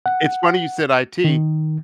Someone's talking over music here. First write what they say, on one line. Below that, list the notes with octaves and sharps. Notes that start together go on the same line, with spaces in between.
It's funny you said IT.
F#5
D#3